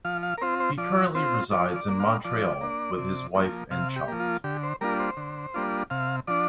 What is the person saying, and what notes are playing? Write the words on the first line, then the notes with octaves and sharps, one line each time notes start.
He currently resides in Montreal with his wife and child.
F3 F5
F5
A#4
C4 F4 C5
C5
F3 D5
C4 F4 C5
F3 D5
D5
A#3 D4
F5
F3 D5
A#3 D4
C3
F3 A#3
C3 F5
G4
F3 A#3
F4
D3 G4
C5
G3 A#3 D4 F4 A#4
C5
D3
G3 A#3 D4 F4
C3 F5
F3 D4 D5